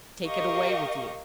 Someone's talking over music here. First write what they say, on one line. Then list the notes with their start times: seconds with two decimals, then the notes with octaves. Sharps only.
"Take it away with you."
0.25 G4 A#4 D#5 F5 C#6